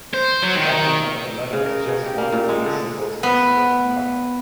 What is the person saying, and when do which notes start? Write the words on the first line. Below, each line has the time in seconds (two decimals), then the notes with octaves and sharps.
Walking under a ladder is just one of many symbols considered unlucky.
0.14 C5
0.42 F#3
0.55 D#3
1.53 C#3
1.66 A#4
1.88 C#3
2.06 G4
2.18 A#3
2.32 A#2
2.49 G#3
2.65 D3
3.23 B3